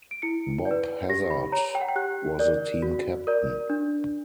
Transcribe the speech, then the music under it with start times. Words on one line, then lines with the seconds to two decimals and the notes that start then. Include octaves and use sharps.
Bob Hazzard was the team captain.
0.11 D7
0.22 E4 C#7
0.65 D5
0.71 B4
1.09 G4 A#6
1.30 B5
1.52 C#5 A#5
1.75 G5
1.81 F#5
1.88 G5
1.96 G4 F#6
2.39 A#4 D5
2.82 F#4
3.27 A#4 D5
3.70 D4